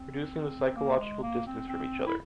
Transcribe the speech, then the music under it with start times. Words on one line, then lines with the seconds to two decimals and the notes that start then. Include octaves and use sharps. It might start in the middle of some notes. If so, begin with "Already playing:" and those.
Reducing the psychological distance from each other.
Already playing: C4
0.76 A#3
0.99 G#3
1.22 A#3
1.46 C4
1.69 C4
2.06 E4